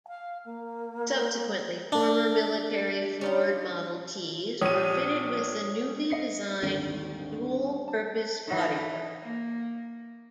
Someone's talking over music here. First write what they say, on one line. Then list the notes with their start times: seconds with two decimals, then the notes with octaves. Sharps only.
Subsequently, former military Ford Model Ts were fitted with the newly designed dual-purpose bodywork.
0.08 F5
0.45 A#3
1.92 D4
3.21 C#4 D#4 F4
4.61 A#1 C#5 D#6 D#7
6.10 D#5 C7 C#7
6.63 D#2 G#2 D3 G3 C4 D4
7.88 A5
8.48 E3 D#4
9.22 A#3